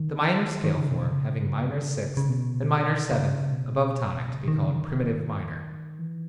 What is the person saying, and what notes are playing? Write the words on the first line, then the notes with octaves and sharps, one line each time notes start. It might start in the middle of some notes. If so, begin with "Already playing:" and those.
The minor scale form having minor sixth and minor seventh above tonic to be called Primitive Minor.
Already playing: D#3
D#3
C#3
B2
C#3
C#3
B2
C#3
B2
C#3
D#3
C#3
D#3
E3